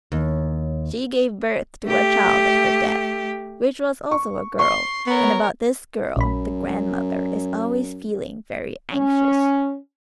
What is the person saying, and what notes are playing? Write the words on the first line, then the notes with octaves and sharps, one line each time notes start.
"She gave birth to a child at her death, which was also a girl, and about this girl the grandmother is always feeling very anxious."
D#2
A3 G4
C#6
C6 C#6
B3 A#4 C#5
A#1 F#2 B5
C#4